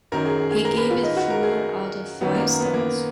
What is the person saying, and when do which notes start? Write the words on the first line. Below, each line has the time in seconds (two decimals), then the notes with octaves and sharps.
He gave it four out of five stars.
0.12 F#2 D#3 F#3 A#4
0.26 G#4
0.38 G#4
0.51 G#4
0.65 A#4
0.77 B4
0.91 F4
1.03 D#4
1.17 F#4
1.30 A#4
1.43 G#4
2.21 F#2 D#3 F#3 B3
2.34 A#3
2.48 A#3
2.61 B3
2.74 A#3